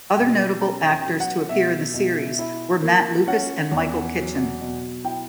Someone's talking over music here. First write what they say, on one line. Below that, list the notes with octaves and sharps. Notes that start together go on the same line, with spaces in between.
Other notable actors to appear in the series were Matt Lucas and Michael Kitchen.
B2 G5
C#4 A#5
G5
F#3
F#5
B2 E5
B2
E4
A#3
C#4 F#5
E2
F#3
B2
E4 G5